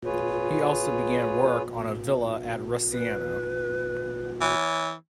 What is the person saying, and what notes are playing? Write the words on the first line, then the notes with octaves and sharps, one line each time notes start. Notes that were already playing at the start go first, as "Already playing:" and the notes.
He also began work on a villa at Rusciano.
F4 G#4 B4 C#5
B4
E3 C#5